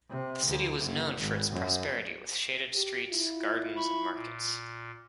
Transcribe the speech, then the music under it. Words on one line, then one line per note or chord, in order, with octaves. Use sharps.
The city was known for its prosperity, with shaded streets, gardens, and markets.
C3
D2
F#1
G#1
F#2
G4
E4 F4
B5 C#6
A#2